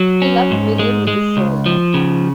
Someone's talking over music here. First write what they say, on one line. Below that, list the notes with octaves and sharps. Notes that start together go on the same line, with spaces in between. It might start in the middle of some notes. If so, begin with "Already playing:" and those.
He loved Miriam with his soul.
Already playing: F#3
C#4
G#2
G#3
G#3
C#2
F3
C#3